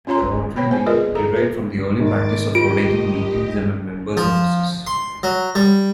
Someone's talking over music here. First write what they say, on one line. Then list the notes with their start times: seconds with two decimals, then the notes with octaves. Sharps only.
The Rotary name derived from the early practice of rotating meetings among members' offices.
0.07 C#4 F4 C#5 A#5 C6
0.56 C#5 G5 B5
0.70 B3 C5 G#5
0.86 F4 G#4 A#4 B4 D5 D#5
1.15 G#4 A4 A#5
1.36 F4 B4
2.00 G#1 D6 A6
2.55 F4 G4 D#5 D7
4.17 F3
4.87 C6
5.23 F#3
5.55 G3